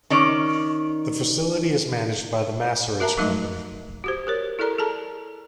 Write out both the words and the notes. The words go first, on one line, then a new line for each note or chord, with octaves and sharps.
The facility is managed by The Macerich Company.
D#3 C#4 D5
F#4 A#4 E5 A5 A#5
F3 F#3 G#3 A3 D#4 D#5
F#4 G4 C5
G4 A#4 C#5
E4 A4 A#4 D5 A#5
G#4 A4 A5 A#5